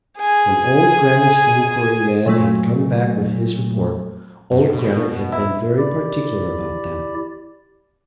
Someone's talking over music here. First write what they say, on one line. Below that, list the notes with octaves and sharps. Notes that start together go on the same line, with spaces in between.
When old Grammont's enquiry man had come back with his report, old Grammont had been very particular about that.
G#4 G#5
A#2 F#3 A3
F#2
B2
E4
E4 G4 D5